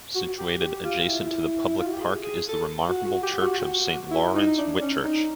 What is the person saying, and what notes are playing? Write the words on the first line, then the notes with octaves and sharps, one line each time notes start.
Situated adjacent to the public park is the remarkable church of Saint Lawrence, Whitchurch.
F#4
G4
G4
F4
E4
F4
F#4
G4
G#4
G#4
A4
F#4
F#4
G4
F#4
E4
D#4
D4
C#4
D#4